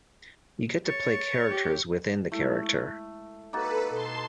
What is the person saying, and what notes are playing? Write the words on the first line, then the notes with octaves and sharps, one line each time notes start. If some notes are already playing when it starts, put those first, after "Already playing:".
You get to play characters within the character.
C#5 C#6 A6
G4
G#3 A3 E4
A#3 D#4 F#4 A4 B4 D6 A6
B2 A5 C6